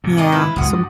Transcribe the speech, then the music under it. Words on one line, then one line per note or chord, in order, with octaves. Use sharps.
yeah, so
G#2 C3
D5 D#5 A5
E4 B4 F5
F#1 C#2 G#3 F#4 D#6
G2